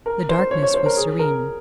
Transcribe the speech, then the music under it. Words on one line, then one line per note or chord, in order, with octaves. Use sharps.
The darkness was serene.
A#4
C5
C#5
C#5
C5
A#4
G#4
A#4